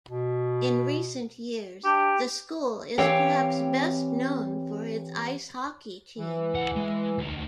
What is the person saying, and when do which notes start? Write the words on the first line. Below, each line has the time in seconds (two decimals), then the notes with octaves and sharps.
In recent years, the school is perhaps best known for its Ice Hockey team.
0.08 B2
1.85 D4 G4
2.98 E3 C4 G4 C#5 F5 G5
6.18 E3
6.55 C#2 F#5
6.76 G#3
7.18 D2 D#3